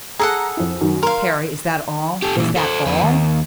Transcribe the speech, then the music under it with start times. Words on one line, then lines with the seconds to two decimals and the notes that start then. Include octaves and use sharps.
"Parry, is that all?--is that all?"
0.19 G#4 A4 F#5 A#5
0.57 F2 E4
0.81 F#2 D#3
1.03 A#4 F5 C6
2.22 G4 A4
2.37 A#2 E3
2.56 A4 C5
2.86 F2 B4
3.03 D#2